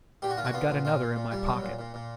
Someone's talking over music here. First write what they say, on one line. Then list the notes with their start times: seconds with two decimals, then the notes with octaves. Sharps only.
"I've got another in my pocket."
0.22 A#2 G4
0.30 F#4
0.37 A#2 F4
0.45 F#4
0.53 B3 F4
0.69 A#2
0.85 A#2 F4
1.01 A#2
1.16 A#2
1.32 G3
1.47 F#3
1.62 A#2
1.79 A#2
1.94 A#2